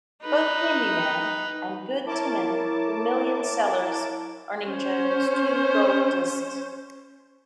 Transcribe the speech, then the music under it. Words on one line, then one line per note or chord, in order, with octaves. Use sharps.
Both "Handy Man" and "Good Timin'" were million sellers, earning Jones two gold discs.
D#4 B4
E4 A#4 C#5 A5 D6
C#4 C5